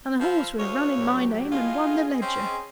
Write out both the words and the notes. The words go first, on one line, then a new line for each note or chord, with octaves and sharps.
And the horse would have run in my name and won the Leger!
F3 B5 E6 F6
D2 C#5 F5 D#6
A2 F#3 G4
A2 F4 G#4 D#5 G#5
C4 C#4